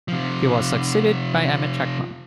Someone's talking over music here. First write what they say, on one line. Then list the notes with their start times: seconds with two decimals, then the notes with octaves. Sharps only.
He was succeeded by Amit Chakma.
0.08 C3 F3